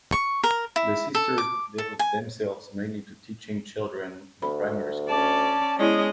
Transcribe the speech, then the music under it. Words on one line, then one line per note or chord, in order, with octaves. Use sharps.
The sisters devote themselves mainly to teaching children in primary schools.
C#6
A#4
E4
A4
D6
A4
G#5
D2 B5
C#4 D5 A5
G#3 B3 C#4 E4 D5 D#5